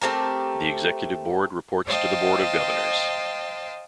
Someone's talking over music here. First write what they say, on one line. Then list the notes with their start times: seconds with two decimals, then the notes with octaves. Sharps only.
The Executive Board reports to the Board of Governors.
0.01 A3 C4 G4 A#4
1.85 C5 D#5 F5 G5 A5